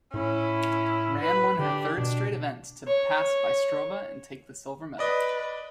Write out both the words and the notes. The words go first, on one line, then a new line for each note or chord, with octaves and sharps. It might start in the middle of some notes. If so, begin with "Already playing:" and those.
Rand won her third straight event to pass Bystrova and take the silver medal.
A2 C#4 E4
B4
D3 D4 G4
B2 D4
C#5
B4 D5 D#5